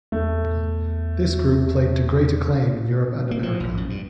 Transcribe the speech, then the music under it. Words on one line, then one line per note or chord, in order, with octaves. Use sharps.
This group played to great acclaim in Europe and America.
E2 A3
A#3
F3
A#1
F#2
G2